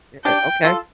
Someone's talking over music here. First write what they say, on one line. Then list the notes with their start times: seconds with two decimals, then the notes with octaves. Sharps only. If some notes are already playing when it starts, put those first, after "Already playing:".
Yeah. Okay.
0.25 D4 G4 G5
0.64 F4 A4